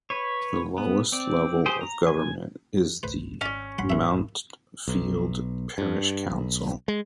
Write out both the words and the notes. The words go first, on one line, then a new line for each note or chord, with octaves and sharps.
The lowest level of government is the Mountfield parish council.
B4 C#5
B3
C4 D5
G4 G#4 C5
A#5
G#5
G#1 C#2 A3 B4 C5
G#1 C#4 D5 D#5
A1 G3 A3 F#5 B5 C6
A#1 F#2 E5
B1
G2
B1
G#3